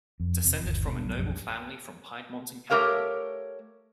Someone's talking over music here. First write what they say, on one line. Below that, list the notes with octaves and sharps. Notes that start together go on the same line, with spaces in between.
Descended from a noble family from Piedmont and Capua.
F2
E1 C3
G1 D#2
G2 B2
B1 F#3 B3
B1 F#2 A2 F3
A3 G4 A#4 C#5 F5